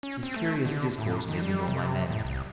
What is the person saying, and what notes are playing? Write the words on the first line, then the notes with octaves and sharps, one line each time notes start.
This curious discourse made me know my man.
C#4
C4
A3
D3
A2
D#3
G3
C3
A2
C2